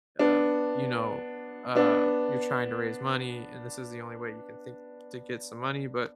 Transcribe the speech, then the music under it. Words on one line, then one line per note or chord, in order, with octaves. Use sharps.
uh, you know, uh, you're trying to raise money and this is the only way you can think to get some money, but,
B3 D4
B3 D4